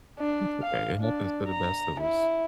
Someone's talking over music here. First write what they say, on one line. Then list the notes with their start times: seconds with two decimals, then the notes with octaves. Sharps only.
That's okay. It happens to the best of us.
0.19 D4
0.62 F5
1.02 D4
1.49 A#5
2.01 E4